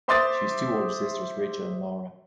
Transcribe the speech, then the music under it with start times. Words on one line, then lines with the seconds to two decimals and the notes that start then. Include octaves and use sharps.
She has two older sisters, Rachael and Laura.
0.08 C5 E5 C6 D6 D#6 A6